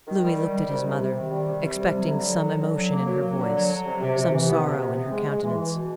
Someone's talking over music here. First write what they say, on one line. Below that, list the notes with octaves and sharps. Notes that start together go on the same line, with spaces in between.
Louis looked at his mother, expecting some emotion in her voice, some sorrow in her countenance.
D#3
G3
D#3
G3
C3
C3
C3
D#3
G3
C3
G3
C3
F#3
D3
F#3
D3
D3
F#3
A#3
F#3
F#3
D3
F#3
F#3
C3
C3
C3
E3
B3
C3
C3
B3
G#3
G#3
E3
E3
B2